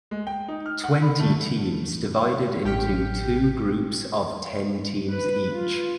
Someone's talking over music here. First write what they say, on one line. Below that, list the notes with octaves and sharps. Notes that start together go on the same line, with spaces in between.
Twenty teams divided into two groups of ten teams each.
G#3
G5
D#4
F6
F#5
B5
A3
A1 G4 G5 F6 B6 C#7
B4
F4